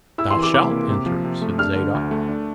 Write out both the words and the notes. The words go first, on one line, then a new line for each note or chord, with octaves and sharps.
"Thou shalt enter," said Zadok.
E4 E6
C6
E3
D6
C3 D6
A#3
C3
F3
C3
A3
D4 F6
D3
D2
A3
D4